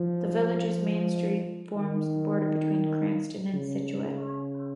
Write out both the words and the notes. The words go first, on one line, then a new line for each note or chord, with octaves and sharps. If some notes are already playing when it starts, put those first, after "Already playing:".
The village's Main Street forms the border between Cranston and Scituate.
Already playing: F3
D#3
C#3